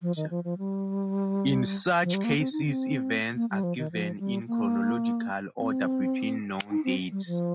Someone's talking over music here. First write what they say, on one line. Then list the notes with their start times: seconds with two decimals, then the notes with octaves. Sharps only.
In such cases events are given in chronological order between known dates.
0.02 F3
0.16 D#3
0.30 F3
0.44 F3
0.58 G3
2.03 F3
2.14 G3
2.24 A#3
2.39 C4
2.53 D#4
2.67 C4
3.35 A#3
3.51 G3
3.63 F3
3.78 D#3
3.92 F3
4.19 G3
4.47 A#3
5.59 C4
6.71 D#4
6.85 C4
7.11 G3
7.27 F3